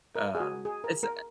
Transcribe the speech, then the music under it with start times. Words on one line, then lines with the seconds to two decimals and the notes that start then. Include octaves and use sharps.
um, it's, uh
0.15 A#4
0.35 G#4
0.40 F#4
0.65 G#4
0.84 A#4
1.03 A#4